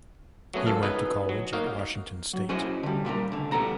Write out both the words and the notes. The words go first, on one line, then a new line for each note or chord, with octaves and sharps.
He went to college at Washington State.
F#3 A3 B3 C#4 F#4
C#2 F#2 A4 F5
B3 D#4 G#4 B4
F#3
A#3 D#4 F#4 F5
F#3
C#4 E4 F#4 G#4 C5 D#5
D3 G3
A#2 G3 G4 A#4
C#2 D3
E2 G3 B3 A4 A#5